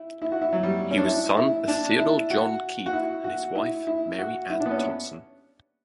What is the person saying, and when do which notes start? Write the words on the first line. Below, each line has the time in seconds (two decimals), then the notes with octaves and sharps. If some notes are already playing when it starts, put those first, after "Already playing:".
He was son of Theodore John Keep and his wife Mary Ann Thompson.
Already playing: E4
0.22 E4
0.32 F#4
0.42 E4
0.53 F#3
0.63 G3
0.91 C#4
0.97 D4
1.05 E4
1.37 E4
1.68 D4
1.99 E4
2.30 F#4
2.86 F#4
2.93 E4
3.24 F#4
3.55 E4
3.87 E4
4.19 F#4
4.50 E4
4.60 D4
4.66 B3
4.71 C#4